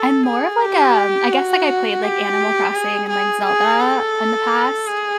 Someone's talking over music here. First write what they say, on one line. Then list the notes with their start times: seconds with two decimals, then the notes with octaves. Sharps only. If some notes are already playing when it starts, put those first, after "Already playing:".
I'm more of like, a I guess, like, I played, like, Animal Crossing and, like, Zelda in the past,
Already playing: A4
0.26 G#4
0.61 G4
1.33 F#4
2.03 G4
2.75 G#4
3.09 G#4
3.45 G#4
3.80 A4
4.87 G#4